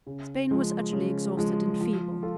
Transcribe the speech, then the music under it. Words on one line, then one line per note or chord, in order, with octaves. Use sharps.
Spain was utterly exhausted and feeble.
C#3
F3 G#3
C#3
F3 G#3
F3
F4 A4